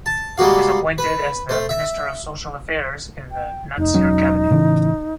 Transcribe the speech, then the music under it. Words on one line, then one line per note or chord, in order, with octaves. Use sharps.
He was appointed as the Minister of Social Affairs in the Natsir Cabinet.
A5
G3 G#3 A#3 F#4 F5
B4
A3 C5
E5
G5
F1 D#4
E1 F#3 C#4
A2 C#3 E3